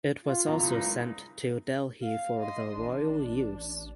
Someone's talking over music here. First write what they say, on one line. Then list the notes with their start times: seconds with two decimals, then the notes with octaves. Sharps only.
It was also sent to Delhi for the Royal use.
0.25 F4
0.48 F#2 B2 F4 A#5
0.60 C#3 E4 A#5
0.73 G#3 A#4 B4
2.02 F5
2.41 D#5 C6
2.77 A1 D4